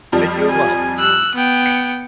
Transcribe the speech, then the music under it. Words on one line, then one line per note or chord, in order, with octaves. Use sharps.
Thank you as well.
F2 F3 G3
G#5
E6 F#6
B3 G5
C#7